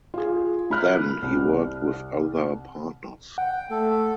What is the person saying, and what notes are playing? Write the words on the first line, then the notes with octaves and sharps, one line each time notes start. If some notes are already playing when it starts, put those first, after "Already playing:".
Then, he worked with other partners.
F4 G#4
B5 F6 F#6
C2
F#5 G5
A3 A4